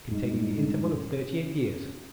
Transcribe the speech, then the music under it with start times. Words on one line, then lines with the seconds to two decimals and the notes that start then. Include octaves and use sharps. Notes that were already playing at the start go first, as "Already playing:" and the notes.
Containing The Interval Of Thirty-Eight Years.
0.11 F#2 A2 G3 G#3 D#4
0.95 C#4